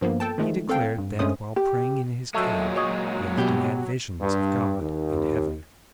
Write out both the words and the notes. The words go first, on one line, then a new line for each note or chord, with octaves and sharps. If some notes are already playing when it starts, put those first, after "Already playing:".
He declared that, while praying in his cave, he often had visions of God and heaven.
G2 F3 A#3 B3
A4 G5 A5
D#3 F3 G#3 A3
C4 A4 F5 G5
G2
G2 G#3 A3 C#4 C5 D#6
G4
A#2 F#3 G#3 A3
C#5 D#5
B2 G4
G2
D#2